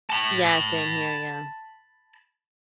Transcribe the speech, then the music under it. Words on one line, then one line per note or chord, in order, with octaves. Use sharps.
Yeah, same here, yeah.
A5 B5